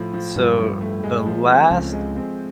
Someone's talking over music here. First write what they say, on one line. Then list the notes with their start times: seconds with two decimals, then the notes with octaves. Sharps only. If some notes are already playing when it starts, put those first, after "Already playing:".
So, the last
Already playing: A2 F3
0.13 F3
0.36 G2 F3 G3
0.59 F3
0.81 A3
1.04 G#3
1.26 F3
1.49 C4
1.71 C#2 C#3 F3
1.93 G#3
2.16 C4